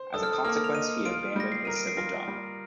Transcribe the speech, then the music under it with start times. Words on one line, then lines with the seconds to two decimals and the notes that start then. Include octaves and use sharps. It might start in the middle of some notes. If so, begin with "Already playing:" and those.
As a consequence, he abandoned his civil job.
Already playing: C5
0.14 A4 D#6
0.23 F6
0.33 D#6
0.44 A#3 F6
0.64 F7
0.74 D#5 D#7
0.95 D#7
1.05 F4 D7
1.36 G3 A#6
1.52 C7
1.65 A#4 D#7
1.76 D7
1.87 C7
1.97 F4 A#6
2.28 G3